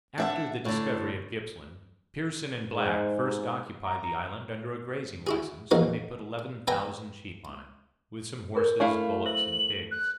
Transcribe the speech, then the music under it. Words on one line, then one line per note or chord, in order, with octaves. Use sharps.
After the discovery of Gippsland, Pearson and Black first occupied the island under a grazing license, and they put eleven thousand sheep on it, with some horses, bullocks, and pigs.
D4 E5 F#5
A2 D3
G#2
A#5
E4 F#4 G#4
A#1 E2 A#3 D#4 F#4
B3 B4 E5 G5 G#5 A#5
G#4 A#4 C#5
A3 E4 F5
C5 E5 E6 F#7
F#6